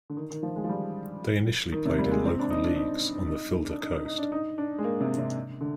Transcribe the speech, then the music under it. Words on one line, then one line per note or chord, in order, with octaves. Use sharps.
They initially played in local leagues on the Fylde coast.
D3
D#3
D#3
F3
G#3
F3
G3
D#3
C3
G3
A#3
G#3
C4
D4
D#4
D4
D#4
D#4
D4
D#4
D#4
D#4
D4
D#4
D4
G#3
A#3
C3
C3
D3